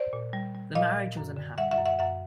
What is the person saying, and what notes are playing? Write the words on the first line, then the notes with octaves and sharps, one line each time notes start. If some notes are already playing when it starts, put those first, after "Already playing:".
The marriage was unhappy.
Already playing: C5 D5
A#2
G3
G3
A#2 D#5 F5
A#2
F#2
D3
G3 E5 F#5
E5 F#5
F#2
E5 F#5
F#2 E5 F#5